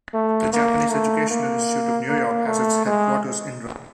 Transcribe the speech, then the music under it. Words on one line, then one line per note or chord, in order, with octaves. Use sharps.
The Japanese Educational Institute of New York has its headquarters in Rye.
A3
A#3
A3
A#3
A#3
A3
G#3